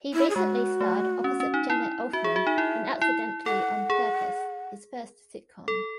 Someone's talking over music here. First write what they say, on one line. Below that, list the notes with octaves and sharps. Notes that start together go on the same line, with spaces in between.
He recently starred opposite Jenna Elfman in "Accidentally on Purpose", his first sitcom.
E4
G#4
G#3 F#4
A3
C#4
C#4
D#4
E4
F#4 E5
G#4
F#4
D#4
E4
E4
A4 F#5
G#4
A4